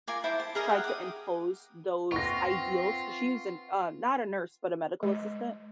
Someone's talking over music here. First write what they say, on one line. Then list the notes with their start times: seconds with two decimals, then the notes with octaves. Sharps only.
tried to impose those ideals, 'cause she was a n uh, not a nurse, but a medical assistant,
0.07 F4 A#4 G#5 D6
0.24 E4 C5 A5 D6
0.40 A5
0.55 G#4 A#4 D#5 A#5
0.68 G4 F#5 G5
0.84 D6 D#6
2.12 C4 F4 B4 F#5 C#6 A#6
5.03 G#3